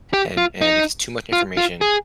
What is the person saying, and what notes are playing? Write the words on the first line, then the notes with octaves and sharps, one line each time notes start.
And and if it's too much information,
G4
F4
D#4
F4
F4
G#4